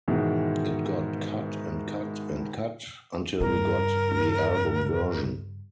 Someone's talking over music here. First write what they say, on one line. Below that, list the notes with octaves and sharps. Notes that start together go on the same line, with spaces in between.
It got cut and cut and cut until we got the album version.
G#2 B2 D#3 E3 G#3
G2 C#3 A#4